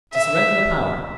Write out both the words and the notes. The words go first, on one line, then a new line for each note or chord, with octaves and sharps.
To surrender the power.
E5